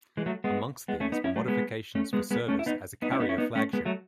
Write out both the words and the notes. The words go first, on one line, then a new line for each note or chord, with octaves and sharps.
Amongst these were modifications for service as a carrier flagship.
E3 G#3
F#3 A3
G#3 B3
G#3 B3
A3 C#4
B3 D#4
C#4 E4
F#3 A3
G#3 B3
A3 C#4
G#3 B3
G#3 B3
A3 C#4
E4
B3 D#4
B3 D#4
C#4 E4
B3 D#4
C#4 E4
B3 D#4
A3 C#4
G#3 B3
F#3 A3